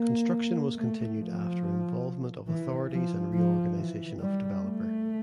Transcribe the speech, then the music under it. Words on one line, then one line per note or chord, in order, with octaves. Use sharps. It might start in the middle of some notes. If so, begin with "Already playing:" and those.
Construction was continued after involvement of authorities and reorganization of developer.
Already playing: A#3
A3
F3
E3
F3
F3
E3
G3
A3